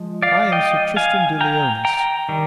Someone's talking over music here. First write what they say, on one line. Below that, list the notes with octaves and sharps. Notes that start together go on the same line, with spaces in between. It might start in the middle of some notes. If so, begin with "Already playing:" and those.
I am Sir Tristram de Liones.
Already playing: F3 G#3
D5 F5
D#5 G5
F5 G#5
G5 A#5
G5 A#5
D#3 G3